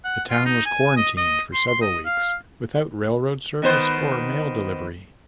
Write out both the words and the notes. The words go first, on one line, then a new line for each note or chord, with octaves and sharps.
The town was quarantined for several weeks, without railroad service or mail delivery.
F#5
F4
D#4
G#5
D#5
D#5
C6
C6
D#5
F5
D#3 B3 C5